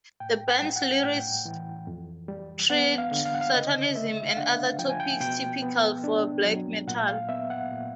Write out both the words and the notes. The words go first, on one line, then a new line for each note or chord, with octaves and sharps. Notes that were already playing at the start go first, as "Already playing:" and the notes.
The band's lyrics treat Satanism and other topics typical for black metal.
A2 G5
G5
G3
F#5
A2 G5
E3
F2
G3
B3 F#5
F5
D3
F5
F#5
F5
C#3 D#5
A3 E5
F5
D4 F#5
F3 G5
G#5
G5
B2 G5
B3
D4
F#3
A#2 F#5
F5
B3 E5
F#5
A#2